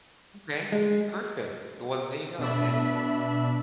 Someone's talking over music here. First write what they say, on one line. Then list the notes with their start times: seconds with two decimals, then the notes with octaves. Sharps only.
Okay. Perfect. The one there you go. Then
0.72 G#3
2.39 B2 D4 E5 B5